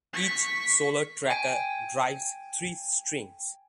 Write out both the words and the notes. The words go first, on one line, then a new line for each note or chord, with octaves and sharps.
Each solar tracker drives three strings.
C#6 B6
G5 G#5